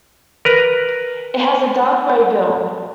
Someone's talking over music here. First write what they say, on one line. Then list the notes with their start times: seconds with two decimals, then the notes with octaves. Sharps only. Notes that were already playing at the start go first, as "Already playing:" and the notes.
It has a dark grey bill.
0.45 A#4 B4 A#5